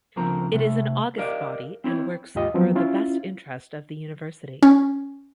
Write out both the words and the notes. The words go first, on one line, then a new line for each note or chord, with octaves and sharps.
It is an august body and works for the best interest of the University.
D2 C#3 F3 A#3 C4 A#5
C3 A3
G4 A#4 D5 D#5 F5
C4 E4 C#5
D#2 G#2 F4 G4 D#5 G5
F3 F#3 B3 C4 F4
C#4 E4 F4
C#4